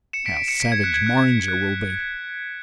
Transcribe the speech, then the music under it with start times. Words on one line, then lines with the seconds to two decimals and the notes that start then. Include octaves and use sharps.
How savage Morringer will be!
0.13 C#7 E7
0.25 B6 D7
0.37 B6 D7
0.48 C#7 E7
0.60 B6 D7
0.72 G#6
0.84 F#6
0.94 G#6
1.06 F#6
1.18 G#6
1.48 F#6